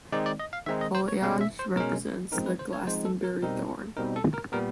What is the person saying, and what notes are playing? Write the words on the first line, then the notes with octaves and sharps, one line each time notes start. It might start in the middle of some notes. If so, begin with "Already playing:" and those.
Foliage represents the Glastonbury Thorn.
D#3 G#3 C4 D#4 D5
D5
D#5
F5
D#3 G#3 C4 D#4 E5
D#5
C5
C#5
B2 G#3 C#4 F5
E5
C5
B2 G#3 C#4 A#4
F3 G#3 C4 D#4 A#4
B4
C5
C#5
F3 G#3 C4 D#4 C5
A4
A#4
B2 G3 C4 D#4 A#4
B2 G3 C4 D#4 A#4
A4
A#4
A#2 G3 B3 A#4